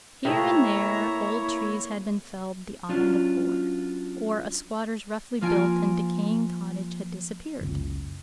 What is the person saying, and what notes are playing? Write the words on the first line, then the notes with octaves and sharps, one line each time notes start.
Here and there old trees had been felled the autumn before; or a squatter's roughly-built and decaying cottage had disappeared.
C3 A3 A#3 E4 G#4 C#5 E5 A#5
F#3 C#4 D4 F4
F3 A#3 F4 G#5 F6 D7
F#1 C#2